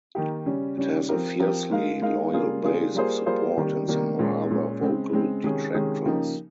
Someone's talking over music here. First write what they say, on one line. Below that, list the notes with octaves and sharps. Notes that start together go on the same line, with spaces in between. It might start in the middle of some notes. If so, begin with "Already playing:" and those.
It has a fiercely loyal base of support and some rather vocal detractors.
D#3 A#3 D#4 G4
C#3 G3 C#4
C#3 G3 C#4
F3 C4 G4 A#4
F3 C4 G4 A#4
G#3 D#4 A#4 F5
G#3 D#4 A#4 F5
C#3 G3 A#3 F4 G#4
C#3 G3 A#3 F4 G#4
G3 A#3 F4 G#4 C5
G3 A#3 F4 G#4 C5
C3 D#3 G3 A#3
C3 D#3 G3 A#3
A#2 G#3 C#4
A#2 G#3 C#4
C#3 G#3 C4
C#3 G#3 C4
C3 D#3 G#3 C#4 G#4
C3 D#3 G#3 C#4 G#4
C#3 F3 A#3 D#4 G4